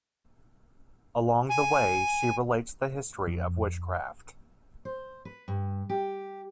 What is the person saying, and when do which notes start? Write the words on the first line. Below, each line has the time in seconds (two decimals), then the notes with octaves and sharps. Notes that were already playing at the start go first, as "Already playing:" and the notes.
Along the way, she relates the history of witchcraft.
1.49 G#5
3.27 F2
4.85 C5
5.25 B4
5.48 G2
5.89 G4